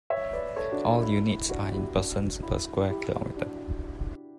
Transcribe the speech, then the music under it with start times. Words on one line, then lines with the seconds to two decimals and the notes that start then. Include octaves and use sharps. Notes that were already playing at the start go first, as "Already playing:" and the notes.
All units are in persons per square kilometer.
0.10 C#5 E5
0.33 B4 D5
0.56 A4 C#5
0.72 D4 F#4
0.87 E4
1.03 E4
1.49 D4 F#4
1.73 E4 G4
1.96 D4 F#4
2.43 E4
2.90 E4 G4
3.36 D4 F#4